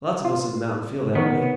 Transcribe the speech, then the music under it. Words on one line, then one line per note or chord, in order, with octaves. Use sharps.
Lots of us in the mountain feel that way.
F4
D#3 B3 C#5